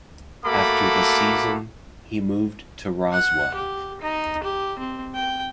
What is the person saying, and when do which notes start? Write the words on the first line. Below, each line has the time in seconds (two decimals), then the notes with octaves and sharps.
After the season, he moved to Roswell.
0.46 A3 A#3 F#4 A4 B5 D6
3.12 F#5
3.55 G4
4.01 D#4
4.43 G4
4.79 C4
5.15 G5